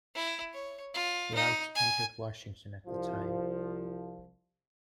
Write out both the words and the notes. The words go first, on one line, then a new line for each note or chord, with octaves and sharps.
Routes entered Washington at the time.
E4
C#5
F4
D#4
G#5
C2 F3